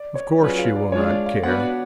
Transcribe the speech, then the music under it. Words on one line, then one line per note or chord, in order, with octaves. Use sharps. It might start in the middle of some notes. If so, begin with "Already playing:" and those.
Of course she will not care.
Already playing: D5
C#5
F#3 C#4 F4 G#4 B4 D5
F5
D5
G#3 D4 F4 G#4 C#5
F5
D5
F5
B3 D4 F#4 B4 D5 F#5